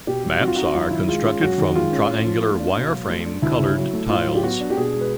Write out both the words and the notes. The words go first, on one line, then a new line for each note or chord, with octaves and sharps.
Maps are constructed from triangular wireframe colored tiles.
B2 G4
G3
C4 F#4
F4
D#4 F#4
F#2 F4
D#3 E4
G#3 F4
C#4 F4
F#2 F#4
D#3
G#3 F4
C#4
A2
F3
A3
D4
B2
F#3
A3
D4
D2 E4
C#3
F#3
A3
A2 F4
F#3
G4
B3 F#4
D4
G4
B2 G#4
G#3
B4